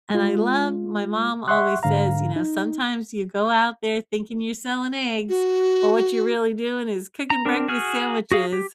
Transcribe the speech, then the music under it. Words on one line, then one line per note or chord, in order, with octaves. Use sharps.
and I love My mom always says, you know, "Sometimes you go out there thinking you're selling eggs, but what you're really doing is cooking breakfast sandwiches,"
G#3 F4
E5 F#5 C6 C#6 F#6
G#2 D3 F5 A#5
D#4
F#4
A#5
C4 D4 A#4
F#4 G#4 F6
F#4 G#4 F5
G4